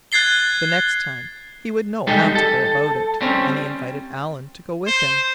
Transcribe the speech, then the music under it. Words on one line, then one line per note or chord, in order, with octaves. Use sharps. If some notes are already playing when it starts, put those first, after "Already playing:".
The next time he would know how to go about it, and he invited Alan to go with him.
F#6 G#6 A6 C7 G7
G3 G#3 D#4 G4 A4
A4
G3 C4 C#4
C5